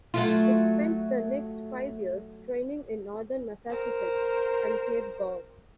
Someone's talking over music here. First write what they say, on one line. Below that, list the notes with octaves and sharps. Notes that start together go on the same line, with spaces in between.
It spent the next five years training in northern Massachusetts and Cape Cod.
F#3 A3 F4
A#4 C5